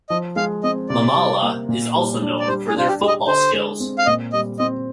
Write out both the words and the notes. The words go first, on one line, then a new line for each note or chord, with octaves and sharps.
Mamala is also known for their football skills.
F3 D#5
G#3 F5
C4 D#5
C3 D5
G3
A#3
A#2
G3
D4
D5
G3 C5
G#4
D4 F4
G4
G4
D#5
D3 C5
G#3
C4
F5
A#2 D#5
G3 D#5
C4 D#5